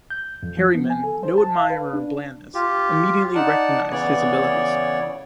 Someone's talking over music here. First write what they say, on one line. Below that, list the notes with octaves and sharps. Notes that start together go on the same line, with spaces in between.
Harriman, no admirer of blandness, immediately recognized his abilities.
G6
F2
F3
B3
G#5
A4
C5
A5
F5
B4
D4
F4 G4
D#4 D5 F#5 A5
C#3 E3 B3 C#5 D5